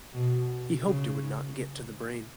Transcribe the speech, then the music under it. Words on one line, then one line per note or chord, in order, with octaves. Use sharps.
He hoped it would not get to the brain.
B2
C#3